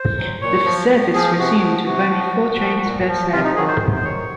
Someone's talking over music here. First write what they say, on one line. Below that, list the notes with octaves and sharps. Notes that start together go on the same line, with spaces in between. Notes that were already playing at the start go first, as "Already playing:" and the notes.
The service resumed with only four trains per circle.
Already playing: C5
F#3
A#2 C#5
F3
A#2
F3 G#4
C3 F#4
F3
C3 F#4
F3
A#2
F3
A#2
F3
C3 F4
D#4
D#3 F#3 G#4
C5
C3
C5
D#3 F#3 C#5